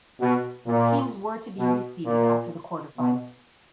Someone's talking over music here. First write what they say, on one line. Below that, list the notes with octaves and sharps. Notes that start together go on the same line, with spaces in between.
Teams were to be reseeded after the quarterfinals.
B2
A#2
B2
A#2
B2